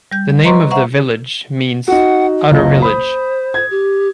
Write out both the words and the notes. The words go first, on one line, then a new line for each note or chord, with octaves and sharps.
The name of the village means "outer village".
G3 G6
B4 D#5 A#5 C6 C#6
C5 E5 F#5 A#5 C#6
D#4 F#4 F#5
F#1 C#2 D#5
C5 B5 D#6
G#6
G4